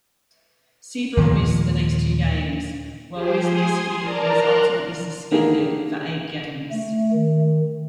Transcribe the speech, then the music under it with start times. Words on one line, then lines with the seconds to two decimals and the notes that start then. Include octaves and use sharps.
Seabrook missed the next two games, while Wisniewski was ultimately suspended for eight games.
1.17 D#2 A#2 F3 G#3
3.13 F3 G4 G#4 C5
3.44 G#5 C6 D#6
4.00 A#4 D5 A5 A#5
4.34 A#4 A#5 C6 F#6
5.31 D3 D#3 A#3 G4 G#4
6.71 A3
7.13 D#3